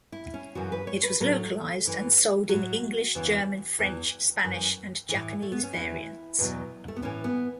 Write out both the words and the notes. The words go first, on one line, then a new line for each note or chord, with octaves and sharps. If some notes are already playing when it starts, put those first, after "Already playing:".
It was localized and sold in English, German, French, Spanish and Japanese variants.
E4
C#4
F#2 C#3 E3 F#4
B4
C#5
B4
A2 F#3 A4
F#2 E3
A2 F#3 F#4
E2 C#3 E3
E2 E3
F#2 E3
A2 E3
A3
B3
C#4
E2 E3 E4
E2 B2 F#3
A3
B3
A2 E3 C#4
B3